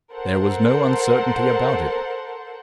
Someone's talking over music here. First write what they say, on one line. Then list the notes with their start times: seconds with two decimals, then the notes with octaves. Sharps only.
There was no uncertainty about it.
0.13 A4 A#4 C5 F#5